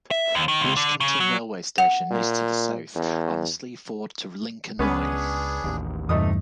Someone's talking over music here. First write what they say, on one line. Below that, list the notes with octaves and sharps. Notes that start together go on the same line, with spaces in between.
Ruskington railway station is to the south, on the Sleaford to Lincoln line.
E5
D#2
D#3
C#2
D3
C#3
F#3
F#5
A#2
E2
C#2 B3 C#4 D4 G#4 B4
A1 D#2
E2 G2 C3 A3 D#4 D#6